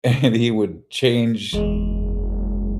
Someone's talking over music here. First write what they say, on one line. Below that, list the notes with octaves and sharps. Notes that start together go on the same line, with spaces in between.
And he would change
F#1 E2 G#3